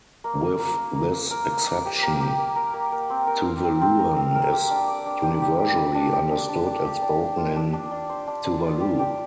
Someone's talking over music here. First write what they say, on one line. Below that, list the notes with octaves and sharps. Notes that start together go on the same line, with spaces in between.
With this exception, Tuvaluan is universally understood and spoken in Tuvalu.
A#3
A#3
A#3
A#3
A#3
A#3
A#4
A#3
A#3
G4
A#3
G4
A#3
A#4
A#3
A#3
C4
A#4
F5
C4
C4
A#4
C4
A#4
G4
D4
D5
D4
G4
G4
G4
D5
D4
G4
D4
D4
D4
G4
D4
D4
F4
D4
D4
D4
C5
D4
D4
F4
G4
G4